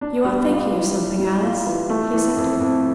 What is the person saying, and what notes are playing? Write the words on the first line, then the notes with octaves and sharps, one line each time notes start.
"You are thinking of something, Alice," he said.
D4
G3
F4
E3
D4
G3
F4
E3
A3
E3
F2
F2